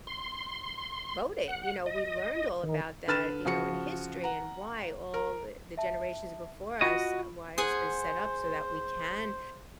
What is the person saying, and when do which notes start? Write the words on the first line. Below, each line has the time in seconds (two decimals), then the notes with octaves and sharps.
voting. You know, we learned all about that, you know, in history and why all, eh, the generations before us, why it's been set up so that we can
0.07 C6
1.48 F#5
1.86 D#5
2.63 D#3
3.07 D3 B4 F6 A6 E7
3.45 C#3 F3 F#4 C#7
4.24 F#5 A#5
5.14 A#4
5.77 E5 A5
6.81 F4 F#4 D#5 B5 C#6
7.58 G#4 C5 F#5 G#5